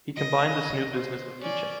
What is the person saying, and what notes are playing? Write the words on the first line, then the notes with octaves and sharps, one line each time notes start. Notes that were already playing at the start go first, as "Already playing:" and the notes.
He combined this new business with teaching.
D#5
C5
C#4 D5